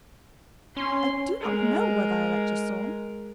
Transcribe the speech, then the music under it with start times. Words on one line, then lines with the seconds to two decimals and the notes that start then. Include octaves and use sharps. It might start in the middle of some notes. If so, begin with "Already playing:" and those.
"I do not know whether I liked your song."
0.77 C#4 C6
1.40 G#3 A#4